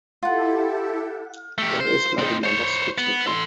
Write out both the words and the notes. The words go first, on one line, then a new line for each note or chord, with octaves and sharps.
Galea is married and has two children.
E4 F4 G4 A4 F#5
A3 G4
C5
C4 D#4
C5 C#5
B3
A4 C6